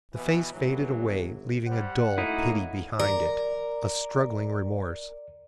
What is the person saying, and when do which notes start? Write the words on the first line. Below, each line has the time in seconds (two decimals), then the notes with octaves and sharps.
The face faded away leaving a dull pity behind it, a struggling remorse.
0.14 B2 E3
0.53 G1 A2 E3 F#3
1.67 G3 C5 F#5
2.18 F#2 F#3 A3 A#3 D#4 E4
2.99 A#4 D5